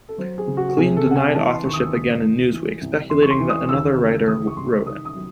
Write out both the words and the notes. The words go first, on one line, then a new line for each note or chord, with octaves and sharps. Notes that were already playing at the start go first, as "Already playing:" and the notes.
Klein denied authorship again in "Newsweek", speculating that another writer wrote it.
A4
F#3 C5
G#4
C#3
F#4
F#4
C3 G#4
A4
C3 F#5
G#5
E3 A5
C6
D#2 C#6
D#6
E6
C#3 D#6
E3
E3
C2
E2 C6
C#6
C6
E3
D#6
D#2 E6
C#3
E3 D#6
C#6
C2 C6
C#6
D#3 D#6
D#6
F#3